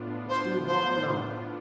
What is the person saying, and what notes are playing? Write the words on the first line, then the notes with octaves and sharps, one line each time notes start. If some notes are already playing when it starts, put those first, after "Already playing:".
It's too hot now.
Already playing: A2 B3 D4 F4
C5
C5